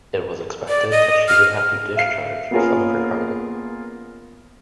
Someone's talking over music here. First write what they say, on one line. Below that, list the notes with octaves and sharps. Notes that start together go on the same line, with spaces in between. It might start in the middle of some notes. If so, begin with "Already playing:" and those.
It was expected that she would have to discharge some of her cargo.
D5
D#5
F6
E5 F5 C7
A#3 B3 C#4 F4 G#4 A#4